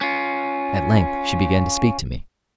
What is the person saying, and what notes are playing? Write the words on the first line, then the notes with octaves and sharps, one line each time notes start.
At length she began to speak to me.
C#4 F4